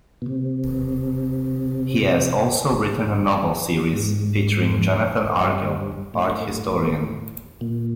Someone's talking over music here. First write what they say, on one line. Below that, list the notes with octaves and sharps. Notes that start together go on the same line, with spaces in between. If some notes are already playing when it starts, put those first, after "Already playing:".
He has also written a novel series featuring Jonathan Argyll, art historian.
B2
C3
G#2
G2
A2
A#2